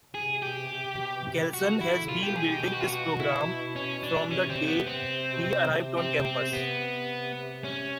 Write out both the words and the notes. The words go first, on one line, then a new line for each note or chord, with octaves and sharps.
Kelson has been building this program from the day he arrived on campus.
C3 G#4
B2 G4
C3
C3
C3
B2
C3
C3 F#4
C#3
C3
E4
D3
B2 F4
G4
G#4
G4
G4
F#4
F4
F#4
E4
C#4
D4
B2
C3 C#4
C4
B3
C4
B2
C3
C4
C4
C3 B3
C#4